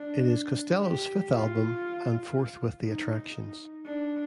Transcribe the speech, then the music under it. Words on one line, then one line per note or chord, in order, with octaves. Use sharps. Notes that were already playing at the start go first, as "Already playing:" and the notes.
It is Costello's fifth album, and fourth with the Attractions.
Already playing: D4
G4
F4
D#4
D4